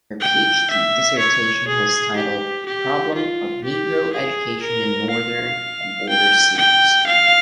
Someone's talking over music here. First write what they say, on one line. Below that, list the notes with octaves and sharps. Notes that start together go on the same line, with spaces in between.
Her PhD dissertation was titled "Problem of Negro Education in Northern and Border Cities".
G5
E5
C#5
G#4
G4
G4
F4
G4
G#4
A#4
F5
G5
G5
F5